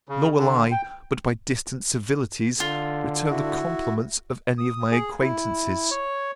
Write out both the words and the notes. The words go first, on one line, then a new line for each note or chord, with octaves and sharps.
Nor will I, but by distant civilities, return the compliments of any of my acquaintances.
C#3
D3
G5
D3 F4
E4 F#4
D#6
G#4
E4
C#5